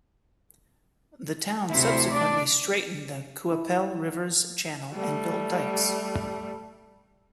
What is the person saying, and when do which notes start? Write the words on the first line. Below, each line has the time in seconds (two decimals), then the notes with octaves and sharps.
The town subsequently straightened the Qu'Appelle River’s channel and built dikes.
1.71 D2 C3 E4 C5
2.11 D4 D5
3.52 E4
4.94 G3 A3